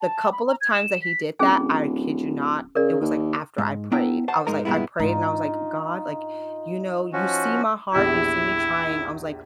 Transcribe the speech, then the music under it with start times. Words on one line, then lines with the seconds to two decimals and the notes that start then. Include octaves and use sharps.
The couple of times that he did that, I kid you not, it was, like, after I prayed. I was like, I prayed and I was like, "God, like, you know, you see my heart, you see me trying" I was like
0.01 A5
0.32 B5
0.47 A#5
0.61 G#6
0.73 E7
1.02 B6
1.39 D1 C#4 G#4 G#5
2.75 C#3 A#4 D5
3.01 D#2
3.58 G#2
3.92 B3 D4 E4 G5 A#5
4.28 C5 F#5 A5
4.47 G#2 G#3 D#4 A#4 A#5
4.65 G2 A#2 G#3 B3 E4
5.00 G#2 D4 D#4 F4
7.13 F3 C#4 F#4
7.94 A#1 E2 E4 G4